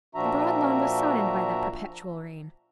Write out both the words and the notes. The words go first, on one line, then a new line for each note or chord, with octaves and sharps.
The broad lawn was soddened by that perpetual rain.
A#2 F3 D4 F#4 E5 A#5